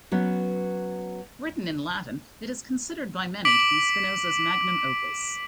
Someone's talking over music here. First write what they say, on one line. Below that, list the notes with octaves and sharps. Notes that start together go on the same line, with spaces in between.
Written in Latin, it is considered by many to be Spinoza's "magnum opus".
F#3 B3 C#4
D6 B6 D7 F#7